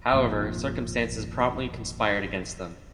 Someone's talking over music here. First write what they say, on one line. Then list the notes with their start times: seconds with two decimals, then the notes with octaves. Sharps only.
However, circumstances promptly conspired against them.
0.12 G#1 F2 A#2